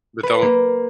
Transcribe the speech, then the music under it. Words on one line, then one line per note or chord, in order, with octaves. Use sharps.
but don
B4
A#3